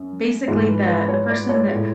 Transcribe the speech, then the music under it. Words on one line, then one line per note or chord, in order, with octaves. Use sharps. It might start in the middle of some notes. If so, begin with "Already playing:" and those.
basically, the the person that
Already playing: F#2
G#2 E3 G#3 G#4
B4
B4
C#5
D5
C#5
A2 G#3